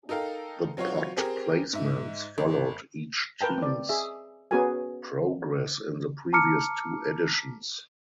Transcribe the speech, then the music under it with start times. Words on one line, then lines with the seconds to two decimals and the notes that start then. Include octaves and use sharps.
The pot placements followed each teams progress in the previous two editions.
0.09 D#4 A4 A#4 F5 G5
0.77 F#3 C4 F4 F#4 C#5 F5
1.17 C4 G4 G#4 A#4
1.73 G#2 E5
2.38 G#1
3.41 A#4 B4 G5 A5
3.58 C4 D5
3.89 G#4 E5
4.51 B3 C#4 F#4 G#4 A#4 G#5
6.33 A5 A#5 D6 F6 C#7